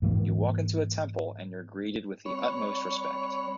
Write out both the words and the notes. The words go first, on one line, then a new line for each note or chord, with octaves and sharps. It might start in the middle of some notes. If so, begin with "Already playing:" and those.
You walk into a temple and you're greeted with the utmost respect...
G#2 E3 A#3
G3 C4 C#5 B5